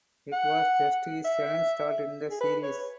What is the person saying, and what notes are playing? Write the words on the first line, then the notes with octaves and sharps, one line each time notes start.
It was just his second start in the series.
F#5
E5
G#4
B4
C#5